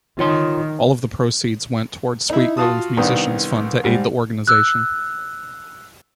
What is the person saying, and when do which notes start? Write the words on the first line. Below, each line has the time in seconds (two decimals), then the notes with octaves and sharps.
All of the proceeds went toward Sweet Relief Musicians Fund to aid the organization.
0.19 D#3 F4 C#5 C6
2.30 D#4 E4
2.57 F4 F#4 F5 A5 D#6
2.97 C2 D#3 B3 D4
3.84 G#2 G3
4.47 E6 F#6